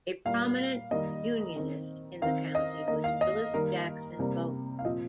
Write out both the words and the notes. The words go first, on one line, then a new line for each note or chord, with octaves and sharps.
A prominent Unionist in the county was Willis Jackson Bone.
A#2 G3 A#3 F5
D#3 G3 A#3 D#5
D#3 C4
D#3 C4 F5
D#5
D#3 A#3 D#5
F5
D#5
D#3 G3 A#3 A#4
C3 G3 A#3
F5
A#2 F3 C4 D#5